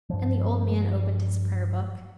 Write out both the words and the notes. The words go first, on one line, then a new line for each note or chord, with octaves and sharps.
And the old man opened his Prayer-Book.
G2 F3